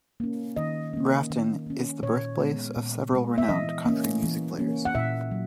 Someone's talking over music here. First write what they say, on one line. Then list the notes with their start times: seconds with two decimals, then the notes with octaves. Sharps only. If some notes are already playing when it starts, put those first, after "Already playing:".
Grafton is the birthplace of several renowned country music players.
0.20 A#3 C#4
0.57 D#3 D#5
0.93 A#3 C#4
1.30 D#3
1.66 A#3 C#4
2.02 A#2 C#5
2.39 G#3 B3
2.76 A#2
3.12 G#3 B3
3.38 E5
3.49 E3 D#5
3.85 A#3 C#4
4.23 E3
4.59 A#3 C#4
4.85 F#5
4.95 A#2 E5
5.31 F#3